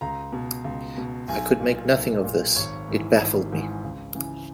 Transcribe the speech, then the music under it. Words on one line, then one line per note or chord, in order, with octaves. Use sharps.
I could make nothing of this. It baffled me.
C#2 A#5
B2
C#2
B2
B1 G#5
A#2
B1
A#2
G#1 C#5
G#2 E3
G#1
G#2 E3
C#2
C#3 E3